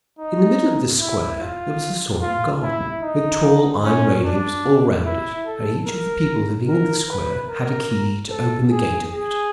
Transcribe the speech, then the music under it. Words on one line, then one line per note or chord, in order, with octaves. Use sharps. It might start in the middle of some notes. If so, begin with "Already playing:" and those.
In the middle of this Square there was a sort of garden with tall iron railings all round it, and each of the people living in the Square had a key to open the gate of it.
D#4
E4
F4
F4
E4
D#4
C#4
D4
E4
A4
A#4
A#4
B4
A#4
A4
G#4
G#4